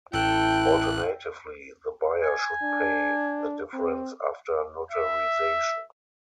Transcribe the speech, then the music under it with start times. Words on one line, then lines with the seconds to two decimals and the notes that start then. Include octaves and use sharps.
Alternatively, the buyer should pay the difference after notarization.
0.13 A1 E4 A4 G5 F#6
2.23 G#5
2.62 D4
3.74 C4
4.92 E5